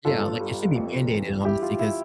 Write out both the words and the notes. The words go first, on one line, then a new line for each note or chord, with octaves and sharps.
Yeah, like, it should be mandated honestly, 'cause
G1 F4 A4
G3
F2
E3
G3 E4 G4
F4
E4